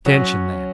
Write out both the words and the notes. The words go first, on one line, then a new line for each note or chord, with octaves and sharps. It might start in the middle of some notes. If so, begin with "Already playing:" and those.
"Attention, then!"
F#3 C#4 F#4